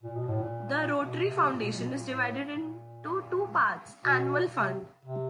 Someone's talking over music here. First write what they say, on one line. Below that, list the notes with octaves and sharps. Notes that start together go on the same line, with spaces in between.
The Rotary Foundation is divided into two parts: Annual Fund.
A#2
B2
A2
A#2
B2
B2
C3
A#2
B2
A#2
B2
A#2
A2
A#2
B2
C3
C3